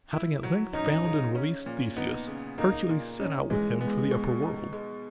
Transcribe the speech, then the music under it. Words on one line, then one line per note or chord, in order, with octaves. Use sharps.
Having at length found and released Theseus, Hercules set out with him for the upper world.
E4
F#3
C#4 D#4
C#3
C#4
A#2
B3 D#4
C#3
A#3 D#4
A#2
C#4 D#4
E3 G#3
G#3 B3
B2
D#4
G#3